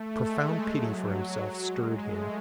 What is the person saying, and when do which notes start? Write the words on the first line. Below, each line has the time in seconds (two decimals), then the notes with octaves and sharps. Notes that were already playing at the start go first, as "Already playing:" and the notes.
A profound pity for himself stirred him.
Already playing: A3
0.19 G#3
0.66 F#3
1.63 G#3
2.11 A3